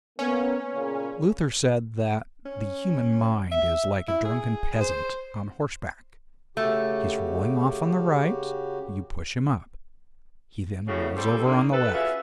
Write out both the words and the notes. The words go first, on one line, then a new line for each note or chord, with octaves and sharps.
Luther said that the human mind is like a drunken peasant on horseback: he is rolling off on the right, you push him up, he then rolls over on the left.
A#3 B3 C#4
A#2 C#3
C#4
E5
E4
G#4
C5
C#3 A3 F#4 G4
A2 C#3 F#4
G3 C4 A4
A#3 D4 D#4
A4 B4
C#4 F4 F#4 G#4 B4 E5